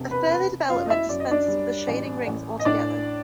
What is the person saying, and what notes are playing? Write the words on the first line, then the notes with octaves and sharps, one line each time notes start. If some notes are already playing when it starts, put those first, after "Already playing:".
A further development dispenses with the shading rings altogether.
Already playing: E1 C3
B4 B5
B3 B4 B5
F#2 F4 F5
D#5
E4 E5
F#2 D5
D#5
D4 D5
G3
A1
A1
D#5
A2 D4 D5